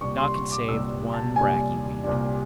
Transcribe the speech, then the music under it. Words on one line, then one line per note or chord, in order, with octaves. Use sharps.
Doc had saved one bracky weed.
C2 A#2 G3 C#6
C6
C#6
D6
C2 A#2 G3 E6
A5
C2 A#2 G3 G#5
C2 A#2 G3